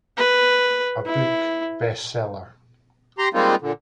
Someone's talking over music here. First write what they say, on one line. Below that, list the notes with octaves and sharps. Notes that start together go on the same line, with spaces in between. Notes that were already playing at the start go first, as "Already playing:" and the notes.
A book, Bestseller!
B4
E4
G4 A#5 C6
G3 G#3 A#3 C4 D#4 F4
A#2 D3